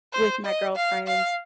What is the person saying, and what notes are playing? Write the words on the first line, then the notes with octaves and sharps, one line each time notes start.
with my girlfriends,
C5
D#5
F5
F5